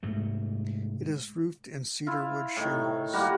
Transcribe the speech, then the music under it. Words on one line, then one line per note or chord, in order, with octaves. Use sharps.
It is roofed in cedar wood shingles.
G#2 C3 A3
E4 F4
A2 D#3
G3 A#3 F#4 G4